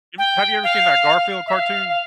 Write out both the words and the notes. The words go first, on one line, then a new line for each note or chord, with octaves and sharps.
You have ever seen that Garfield cartoon?
G5
F5
E5
F5
F5